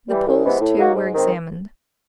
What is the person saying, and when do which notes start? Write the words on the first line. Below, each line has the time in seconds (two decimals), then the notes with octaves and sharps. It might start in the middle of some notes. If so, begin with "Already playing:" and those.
The Poles, too, were examined.
0.09 E3 G3
0.26 C2
0.44 C3 E3 G#3 B3
0.60 A2
0.77 F#3 A#3 D#4 F#4
0.95 G#2
1.13 D#3 G#3 C4